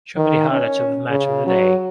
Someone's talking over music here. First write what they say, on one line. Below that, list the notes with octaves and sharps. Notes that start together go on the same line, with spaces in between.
Show me the highlights of the match of the day.
D#3
C#4
C#3
F#3